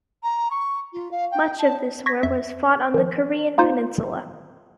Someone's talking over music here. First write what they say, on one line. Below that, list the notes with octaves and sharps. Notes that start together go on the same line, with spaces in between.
Much of this war was fought on the Korean Peninsula.
A#5
C#6
F4
F5
G5
A5
C#6 G#6 A#6 B6
F2 E5
D#3 F3
A#3 D#4 F4 C5